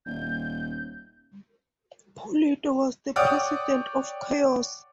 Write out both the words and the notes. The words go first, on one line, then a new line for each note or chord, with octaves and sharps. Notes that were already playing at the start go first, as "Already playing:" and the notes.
Pulido was the president of Chaos!
D#1 G6
C#5 D5 F#5 G5 D6 D#6